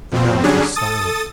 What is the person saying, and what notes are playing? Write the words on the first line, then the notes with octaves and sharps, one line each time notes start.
The mouth was silent.
F2 B2 C4
D3 F#3 G3 C#4 D4 G#4
A4 D#6 A6